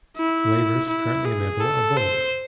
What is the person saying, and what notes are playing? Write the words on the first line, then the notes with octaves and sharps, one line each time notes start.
Flavors currently available are bold.
E4
E4
G#4
A4
C5